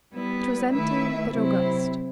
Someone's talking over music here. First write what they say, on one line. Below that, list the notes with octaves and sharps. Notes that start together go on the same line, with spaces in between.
It was empty but august.
G3 B3 E4 B4
D#3 A3 E4 B4 E5
C3 F#3 C4 E4